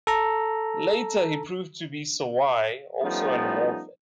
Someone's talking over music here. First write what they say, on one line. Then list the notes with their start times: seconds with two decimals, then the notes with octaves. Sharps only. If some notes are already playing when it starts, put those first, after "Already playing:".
Later he proved to be "Sawai" also in warfare.
0.07 A4 A#5
3.01 F3 G3 A3 B3 C#4 D#4